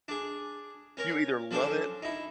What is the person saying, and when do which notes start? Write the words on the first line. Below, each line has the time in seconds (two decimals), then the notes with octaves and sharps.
you either love it,
0.08 D4 G#4
0.97 C#4 A#4 C#5
1.51 F3 C#4 D4 A4 C5
2.03 D#4 E4